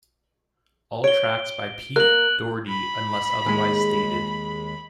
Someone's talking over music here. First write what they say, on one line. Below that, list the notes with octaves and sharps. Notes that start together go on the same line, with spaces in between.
All tracks by Pete Doherty unless otherwise stated.
C#5 D7 G7
A#3 A#4 F#6 F#7
B5
D#2 G#3